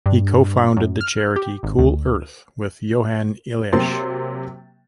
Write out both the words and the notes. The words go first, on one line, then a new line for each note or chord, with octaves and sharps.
He co-founded the charity Cool Earth with Johan Eliasch.
G2
F#2
F6
G4
G#1
D2
C3 F#3 A#3 C4 C6 A6